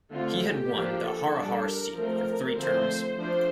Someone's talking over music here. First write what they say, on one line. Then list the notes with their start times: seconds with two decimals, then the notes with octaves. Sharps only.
He had won the Harihar seat for three terms.
0.12 D3 A3 C4 F4
0.43 G4
0.73 F3 A#3 D4
1.04 A4
1.34 G3 D4
1.66 A#4
1.96 F3 A3 C4
2.57 D3 F3 A3 C4 C5
3.19 F3 A3 D4 C5